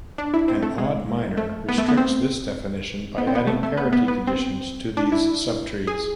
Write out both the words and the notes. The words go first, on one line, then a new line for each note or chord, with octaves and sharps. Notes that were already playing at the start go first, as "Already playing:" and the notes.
An odd minor restricts this definition by adding parity conditions to these subtrees.
D4
E4
C4
A3
G#3
A3
B3
A3
B3
C4
B3
C4
B3
A3
A3
B3
B3
B3
C4
D4
E4
G#4